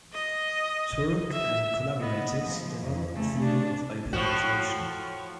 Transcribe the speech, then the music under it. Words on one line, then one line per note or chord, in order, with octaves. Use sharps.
Turok and collaborators developed the theory of open inflation.
D#5
E5
B3 D#5
F3
F2
C#3 A3
D4
A2 F3 F#4